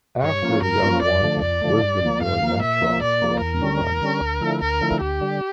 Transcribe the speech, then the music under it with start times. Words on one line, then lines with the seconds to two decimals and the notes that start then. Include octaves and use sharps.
After the Unwanted, Wisdom joined Metroz for a few months.
0.22 G2 C#5
0.42 F3 A#3 C#4 F4
0.62 G2 A#4
0.83 F3 A#3 C#4 F4
1.02 F2 D5
1.22 D3 F3 A3
1.41 F2 D5
1.62 D3 F3 A3
1.82 G2
2.02 F3 A#3
2.21 G2 F5
2.42 F3 A#3
2.61 A#2 E5
2.81 F3 A#3
3.01 A#2 D5
3.22 F3 A#3
3.41 E2 A#4
3.61 D3 G3 C#4
3.81 E2
4.01 D3 G3 C#4
4.21 D2
4.41 D3 F3 A3 E4
4.61 D2 A#4
4.81 D3 F3 A3 E4
5.01 D2 G4
5.21 D3 G3